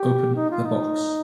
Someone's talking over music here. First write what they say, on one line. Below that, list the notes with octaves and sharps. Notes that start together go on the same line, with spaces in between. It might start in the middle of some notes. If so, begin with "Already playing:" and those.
Open the box.
Already playing: G4
D#4
F4
D#4